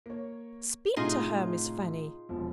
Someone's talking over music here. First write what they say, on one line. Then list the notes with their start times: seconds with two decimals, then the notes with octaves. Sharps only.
Speak to her, Miss Fanny!'
0.06 A#3 C#5
0.96 A2 C3 D#4 F4 G#4
2.29 E1 F3